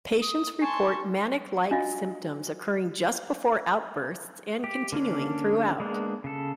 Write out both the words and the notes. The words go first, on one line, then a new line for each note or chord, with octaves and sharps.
Patients report manic-like symptoms occurring just before outbursts and continuing throughout.
D#6
G#5 A5 C6 C#6
D4 F4 F#4 D#5 F5
G4
D3 A#3 C#4 D4
G#3 A#3 B3 D4
C#3 A4